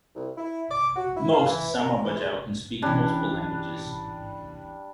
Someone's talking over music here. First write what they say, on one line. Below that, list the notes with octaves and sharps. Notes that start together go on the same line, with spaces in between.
Most Sama-Bajau can speak multiple languages.
C2
E4
D6
F#4
E4
F4
E3
A#4
E3
G#3
E3 G3 C#4 D4